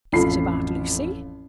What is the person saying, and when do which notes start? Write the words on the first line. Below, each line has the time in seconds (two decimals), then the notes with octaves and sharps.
"Is it about Lucy?"
0.13 A1 F2 F4 A4 B5 C7